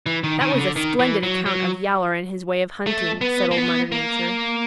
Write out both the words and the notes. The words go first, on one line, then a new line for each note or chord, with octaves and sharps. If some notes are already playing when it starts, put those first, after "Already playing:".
"That was a splendid account of Yowler and his way of hunting," said Old Mother Nature.
E3
D#3
D#3
C#3
D3
D#3
E3
F#3
F#3
A3
B3
A#3
B3
A#3